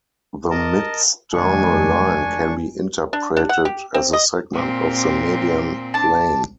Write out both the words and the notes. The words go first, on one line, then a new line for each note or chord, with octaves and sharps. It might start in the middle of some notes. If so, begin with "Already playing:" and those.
The midsternal line can be interpreted as a segment of the median plane.
A#4 D#5 A5
F1 D#3 G#3 D4 G#5 C#6
D4
D4
F#5
G4
C4
D#5
A#2 C4
D4 A5